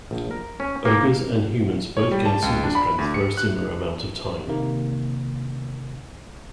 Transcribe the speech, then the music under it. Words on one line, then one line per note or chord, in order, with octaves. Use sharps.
Ogres and humans both gain super strength for a similar amount of time.
A#1
A#4
C#4
A#3
C#5
G3
A5
C#2
D4
B5
D2
C#7
F#6
C3 D#3 A#3